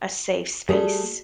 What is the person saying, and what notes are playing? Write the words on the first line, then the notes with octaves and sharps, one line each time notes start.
a safe space
G3 A3 F#4 G#4 D5